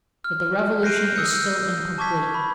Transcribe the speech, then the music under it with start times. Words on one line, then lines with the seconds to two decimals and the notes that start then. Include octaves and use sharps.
But the revolution is still incomplete.
0.24 F6
0.82 F#6 G6 A#6 C7 D7 D#7
1.16 D#6 E6 F#6 G6 C#7
1.98 A5 C#6 D6 G#6 B6
2.34 B5